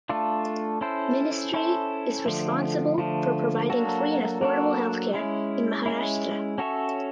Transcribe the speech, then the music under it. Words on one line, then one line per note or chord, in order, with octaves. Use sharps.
Ministry is responsible for providing free and affordable healthcare in Maharashtra.
A3 D4 F4 A4
C#4 E4 A4 C5
C#4 E4 A4 C5
D3 F3 A3
D3 F3 A3
F#3 A#3 D4 F#4 A4
F#3 A#3 D4 F#4 A4
G#3 C#4 E4
G#3 C#4 E4
C#4 F#4 A4 C#5 E5